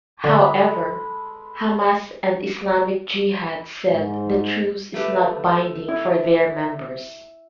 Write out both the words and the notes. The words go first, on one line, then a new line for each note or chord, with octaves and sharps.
However, Hamas and Islamic Jihad said the truce is not binding for their members.
D3 G#3 A4 B4
G#2
A3 G4 B4
E4